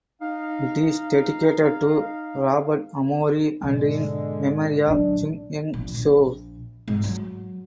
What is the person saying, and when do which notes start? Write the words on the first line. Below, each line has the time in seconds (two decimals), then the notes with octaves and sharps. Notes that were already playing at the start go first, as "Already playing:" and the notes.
It is dedicated to Robert Amory and in memory of Jung Ying Tsao.
0.21 D#4 F5
3.63 G#2 B2 D3 G#3
4.87 A#1 F#3 D4
5.74 A#1
5.95 A#1
6.88 G#2
7.04 F#3